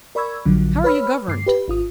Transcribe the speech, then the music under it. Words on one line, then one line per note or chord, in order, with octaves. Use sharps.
How are you governed?
A#4 D5 B5 C#6 E6 G#6
A#1 D3 F3 F#3
B4 C#5 B5 E6 F6
G2 D6 C7
G4 B4
G#1 F4 D#6